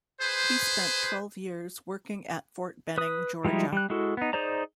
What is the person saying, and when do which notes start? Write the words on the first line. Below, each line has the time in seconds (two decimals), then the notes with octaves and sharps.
He spent twelve years working at Fort Benning, Georgia.
0.21 G#4 B4 C5
2.98 B4 D#6
3.45 F3 G3 G#3 D#4 E4
3.72 G3 F#6
3.90 G#3 E4 F#4 A4
4.17 B3 D#4
4.33 D#4 G#4 C5 D5 A#5